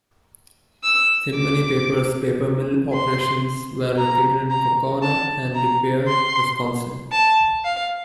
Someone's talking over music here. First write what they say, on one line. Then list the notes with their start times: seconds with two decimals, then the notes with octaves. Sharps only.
Thilmany Papers paper mill operations were located in Kaukauna and De Pere, Wisconsin.
0.84 E6
1.35 D6
2.93 C6
3.98 A#5
4.50 A#5
5.03 A5
5.55 A#5
6.08 C6
7.12 A5
7.65 F5